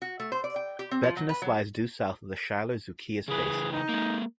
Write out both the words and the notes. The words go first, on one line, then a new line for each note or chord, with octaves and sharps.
Bettinus lies due south of the Schiller-Zucchius Basin.
F#4
A3
C5
D5
G5
G4
C4
F3
F#3
B4
F#3
C#3 E3 G#4 B4
D#4
G#3 A#3